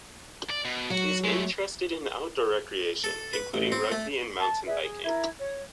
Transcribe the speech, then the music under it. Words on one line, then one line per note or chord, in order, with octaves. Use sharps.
He is interested in outdoor recreation, including rugby and mountain biking.
D5
B2
F#3 F#4
G#3 A3
A4
B4
A1
C4
A3
A5
G#4 B4 D5 E5
G#4
E4 A#4 E5 G#6
C#5